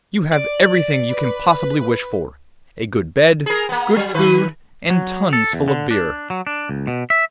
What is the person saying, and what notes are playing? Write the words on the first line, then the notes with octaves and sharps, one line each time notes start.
'You have everything you can possibly wish for: a good bed, good food, and tuns full of beer.
D5
B4
G#4 A#4
A#3 B3
F#3
D#3 B4
F#3
A4
E2
D3
D4
F#3
D4
C#2
B2
E5